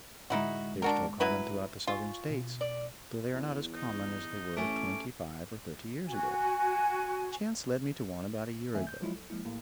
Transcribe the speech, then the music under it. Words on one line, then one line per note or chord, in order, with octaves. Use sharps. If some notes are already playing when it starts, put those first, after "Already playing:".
They are still common throughout the Southern States, though they are not as common as they were twenty-five or thirty years ago. Chance led me to one about a year ago.
A2 D3 G#3 D#4 E4 F#4
D4 F#4 A#4
F#3 E4 B4
F4 G#5 C#6
B2
D5
E2
D#4
A1 A3 C#4 D6
F#4 G#5
F2 D#3 A3 E5 G#5
G6
F3 F#3 G#3 E4 F4
B1
F3 G#3 A#3 E4
A1 A2 A#3